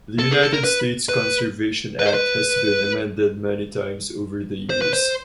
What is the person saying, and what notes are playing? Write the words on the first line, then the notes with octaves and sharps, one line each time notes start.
The United States conservation act has been amended many times over the years.
A4
G#4
A4
A#4
B4
B4
B4
C5
B4
C5
B4
C5